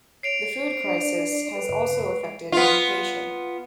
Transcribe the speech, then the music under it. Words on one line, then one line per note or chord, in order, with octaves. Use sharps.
The food crisis has also affected education.
C#5 C7 D7 F7
C5
D4 D5
A4 B4
G2 C#3
G#3
B3 F4